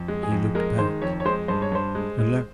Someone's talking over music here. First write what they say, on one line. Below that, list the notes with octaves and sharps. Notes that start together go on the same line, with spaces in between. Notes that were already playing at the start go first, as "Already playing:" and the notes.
He looked back, and lo!
Already playing: F2
G#3
G#4
F2
G#3 A#4
D#3 C5
F2 C#5
C#5
G#3 C5
G2 C5
C#5
G2 C5
G#3
G#3